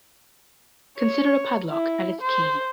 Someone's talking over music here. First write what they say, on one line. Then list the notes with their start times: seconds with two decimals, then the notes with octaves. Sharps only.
Consider a padlock and its key.
0.98 C#5
1.70 E4
2.21 C5